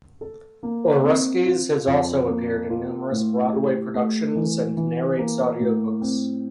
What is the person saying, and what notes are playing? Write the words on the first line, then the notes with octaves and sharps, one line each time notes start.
Oreskes has also appeared in numerous Broadway productions and narrates audiobooks.
A4
A#3
C4
F4
F2
A#3
F4
A2
G4
A3
E3
E3
A#3
A2
C4